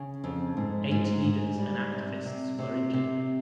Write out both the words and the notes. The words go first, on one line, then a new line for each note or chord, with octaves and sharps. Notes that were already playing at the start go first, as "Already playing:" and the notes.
Eight leaders and activists were injured.
Already playing: C#3
F2
G#2
G#2
G#2
G3
C3
C3
C3
C3